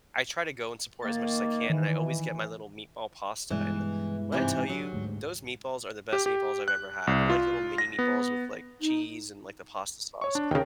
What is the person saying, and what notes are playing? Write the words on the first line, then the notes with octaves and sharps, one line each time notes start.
I try to go and support as much as I can, and I always get my little meatball pasta. And, uh, when I tell you, those meatballs are the best meatballs I've ever had. They're like little mini meatballs with, like, cheese and, like, the pasta sauce.
D#3 A#3 A6
D#3 E3
G2 B2 E3 G#3
G#2 C3 E3
F#3
D2 G#2
G4
G4
F#6
C2
F4
A#6
B3
D#4
C#5 C#6
D4
D#2 C#3 A#4 G5